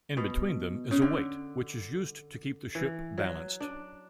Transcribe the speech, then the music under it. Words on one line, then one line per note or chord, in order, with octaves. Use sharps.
In between them is a weight, which is used to keep the ship balanced.
B2
C#3
D3
E3
F#3
D4